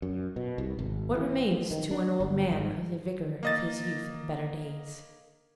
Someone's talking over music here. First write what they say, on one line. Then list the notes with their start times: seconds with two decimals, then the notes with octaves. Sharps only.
What remains to an old man of the vigour of his youth and better days?
0.02 F#2
0.36 B2
0.58 C2
0.79 G#1
1.15 E3
1.51 F3
1.71 D#3
1.91 D4
2.20 G1
2.52 G#2
3.43 A#3 D#5 A6